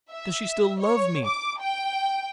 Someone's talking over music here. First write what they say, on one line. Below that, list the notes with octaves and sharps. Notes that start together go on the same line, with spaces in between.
Does she still love me?
E5
C#5
D6
G5